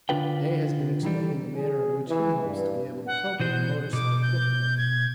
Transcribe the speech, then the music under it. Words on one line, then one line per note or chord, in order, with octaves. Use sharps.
Day has been explaining the manner in which he hopes to be able to cope with the motor sledge difficulty.
D3 D4 F4 B4 G5
D#3 E3 G3
G#4
E3
G2
F#5
B2 E3 C5 G6
B2 D6
G6
G#6